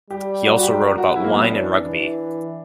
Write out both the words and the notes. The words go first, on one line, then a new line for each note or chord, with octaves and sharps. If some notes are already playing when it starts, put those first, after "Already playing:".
He also wrote about wine and rugby.
G3 G4
F#4
F#4
G4
A#4
F#4
F#3 E4
A#3
B3
C#4
E3 D4
E3